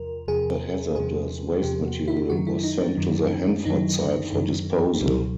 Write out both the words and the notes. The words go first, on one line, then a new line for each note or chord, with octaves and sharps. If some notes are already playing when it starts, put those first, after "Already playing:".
The hazardous waste material was sent to the Hanford Site for disposal.
Already playing: E2 C3 F3 A#4
E2 C3 F3 G#4
E2 C3 F3 G#4
E2 C3 F3 G4
F#4
E4
F#2 D#3 F#3 F#4
E4
D#4
D4
F#2 D#3 F#3
F#2 D#3 F#3 D#4
F#2 D#3 F#3
C#2 B2 F#3